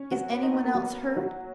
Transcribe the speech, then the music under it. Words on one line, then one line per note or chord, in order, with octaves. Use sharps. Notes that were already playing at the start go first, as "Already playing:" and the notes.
Is any one else hurt?
Already playing: C#4
F#3 F#4
B3 B4
D#4 D#5
B3 B4
A#3 A#4
F#3 F#4
F#3 F#4